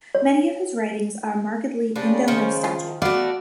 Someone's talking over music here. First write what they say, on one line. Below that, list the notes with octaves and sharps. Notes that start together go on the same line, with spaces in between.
Many of his writings are markedly "Indo-nostalgic".
C#5
C#3 F3 G3 D4
D#3 F3 C5
F4
A3 B3 F#4 D5 F5